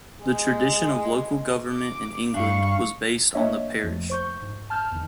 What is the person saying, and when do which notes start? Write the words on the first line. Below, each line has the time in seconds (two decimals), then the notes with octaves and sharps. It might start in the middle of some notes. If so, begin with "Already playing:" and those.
The tradition of local government in England was based on the Parish.
0.23 G#3
1.67 D6
2.34 G2 D4 F5 C#6
3.35 A#3 D4 C#5 D#5 E5
3.83 F2 F3 A3
4.10 C5 C#6 G6
4.42 G#2
4.70 A5 F6 G6
4.92 E2 D#3